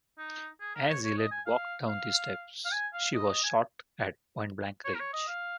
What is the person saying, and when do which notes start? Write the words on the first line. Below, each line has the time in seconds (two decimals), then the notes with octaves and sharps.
As Ellen walked down the steps, she was shot at point blank range.
0.18 D#4
0.61 G#4
0.75 A#4
0.89 C#5
1.04 C#5
1.17 D#5
1.31 G#5
1.46 F5
1.88 F5
2.65 F5
2.72 G#5
2.93 F5
3.15 D#5
3.29 D#5
3.44 G#5
4.84 C#5
4.94 A#4
4.99 C#5
5.13 D#5
5.28 F5